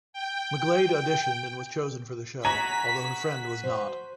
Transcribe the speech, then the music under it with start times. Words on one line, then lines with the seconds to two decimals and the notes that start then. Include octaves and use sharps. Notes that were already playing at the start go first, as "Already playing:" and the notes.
McGlade auditioned and was chosen for the show, although her friend was not.
0.13 G5
2.45 F#4 G#5 A#5 B6
3.64 C5